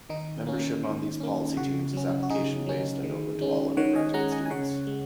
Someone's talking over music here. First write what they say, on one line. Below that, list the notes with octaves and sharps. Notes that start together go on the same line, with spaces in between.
Membership on these policy teams is application-based and open to all undergraduate students.
D#3 D#4
A#3 C#4
D#3
A#3 C#4
C#3 F#4
F#3 C#4
F#4
C#3 D#4 G#4
F#3 C#4
D#3
G#3 C#4
D#3 C#5 F#5
D#5 G#5
G#3 C#4 F#5 A#5
D#5 G#5
G#5
C#3 C#5 F#5
G#3